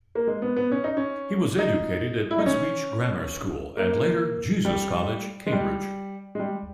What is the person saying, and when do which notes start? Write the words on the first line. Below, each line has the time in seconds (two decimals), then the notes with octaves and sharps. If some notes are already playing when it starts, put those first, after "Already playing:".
He was educated at Wisbech Grammar School and later Jesus College, Cambridge.
0.15 A#3
0.27 G#3
0.42 B3
0.57 B3
0.71 C#4
0.84 D#4
0.97 C#4
1.58 D#4
2.31 E4
2.39 D#4
2.46 C#4
3.77 A#3
4.65 G3
5.46 G#3
5.52 G3
6.35 G#3
6.39 G3